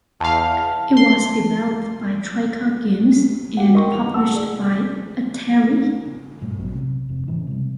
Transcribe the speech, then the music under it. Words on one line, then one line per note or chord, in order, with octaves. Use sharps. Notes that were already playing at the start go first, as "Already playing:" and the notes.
It was developed by Troika Games and published by Atari.
E2 F5 A5
C6
F#4 G4 F5 F#5
D#4 A#4 D#5 G5 C6 C#6
E3 F7
F#5 A5 E6
G#4 D5
G2 A#2 A3
A#1 F#3 B3 C#4
C3
F1 C3
A2 C#3 E3 G#3
C3 G3